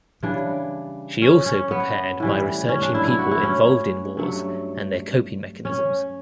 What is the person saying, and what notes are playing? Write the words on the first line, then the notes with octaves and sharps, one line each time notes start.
She also prepared by researching people involved in wars and their coping mechanisms.
C#3 E3 G3 D4
C#4
C#4
B3
A2 E3 G3
C#4
D4
E4
E4
F#4
E4
C#4
G2 F#3 A3
C#4